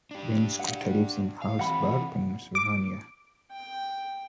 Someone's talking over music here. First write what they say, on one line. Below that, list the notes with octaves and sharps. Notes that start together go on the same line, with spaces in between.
Benscoter lives in Harrisburg, Pennsylvania.
D4 G4
F#5
F5
E3 C4 F#5 B5
D6
G5